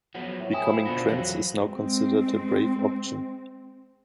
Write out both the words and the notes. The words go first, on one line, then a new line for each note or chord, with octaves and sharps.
Becoming trans is now considered the brave option.
F3 F#3 B3 F#5
A2
E4 G5 G#5 D#6
F3 B5
B2 D3 B3 A#6
F2 E3 F#3
G#3 C4